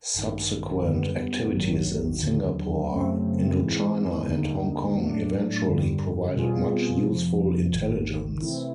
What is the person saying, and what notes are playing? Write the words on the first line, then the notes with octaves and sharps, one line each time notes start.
Subsequent activities in Singapore, Indo-China and Hong Kong eventually provided much useful intelligence.
A1 G2 D#3
F#2 D3 G3 B3
A1 G2 D#3 F#3
D#2 D3 F#3
F#2 C#3 F#3 A3 C4
G#2 E3 G#3 C4
D#2 D3 G3 A#3 D#4
A2 F#3 A3 D4
G2 D3 G3
B2 G3 C4 F4 G#4
F2 C3 F3
G#1 G#2 D#3
C3 E3 A3 C4 E4